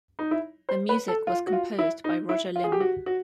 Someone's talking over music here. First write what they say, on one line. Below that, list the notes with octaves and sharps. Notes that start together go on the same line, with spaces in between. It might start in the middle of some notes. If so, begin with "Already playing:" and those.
The music was composed by Roger Limb.
D#4
E4
C5
B4
A4
F4
F#4
F4
E4
D#4
E4
F4
G#4
G4
F#4
F#4